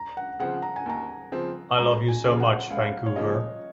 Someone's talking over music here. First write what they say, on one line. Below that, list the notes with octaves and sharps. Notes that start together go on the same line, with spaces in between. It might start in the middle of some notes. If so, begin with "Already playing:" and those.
'I love you so much, Vancouver.
Already playing: A#5
F#5
C#3 F3 C4 F#5
A#5
G#5
D#2 A#5
C#3 F3 C4
C#2 A#5
G#5
C#3 F3 A#3
F#5
C#2 F5
C#5
C#3 F3 A#3 D#5